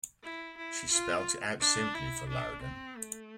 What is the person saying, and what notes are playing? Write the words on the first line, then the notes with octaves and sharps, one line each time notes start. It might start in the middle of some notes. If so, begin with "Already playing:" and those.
She spelt it out simply for Louden.
E4
E4
F4
D4
E4
D4
C4
A3